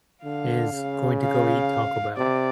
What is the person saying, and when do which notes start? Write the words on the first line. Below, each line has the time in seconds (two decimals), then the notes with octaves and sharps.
is going to go eat Taco Bell.
0.24 D3 F5
0.72 C#3
1.20 F5
2.17 C3 D5